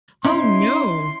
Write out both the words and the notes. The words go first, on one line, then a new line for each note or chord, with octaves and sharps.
Oh, no.
C#4 D#4 E4 C6